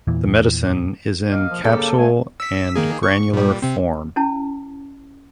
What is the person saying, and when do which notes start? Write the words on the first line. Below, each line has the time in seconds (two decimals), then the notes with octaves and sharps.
The medicine is in capsule and granular form.
0.07 E2 A#2 E3
1.31 A#3 D#5 F5
1.50 F3
1.64 G2 C#3 G3 A#3 A4
1.98 F2 A3 G#5
2.40 E6 B6
2.76 D#3 A#3 G#4
3.03 C#6
3.34 A#2 G3
3.62 C3 C4
4.16 C#4 E4 A5